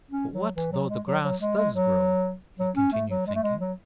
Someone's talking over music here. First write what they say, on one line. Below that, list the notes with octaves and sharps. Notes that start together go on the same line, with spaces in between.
'But what though the grass does grow?' he continued thinking.
C#4
F#3
E3
F#3
G#3
F#3
F#3
G#3
G#3
F#3
F#3
C#4
A3
F#3
G#3
A3
G#3
F#3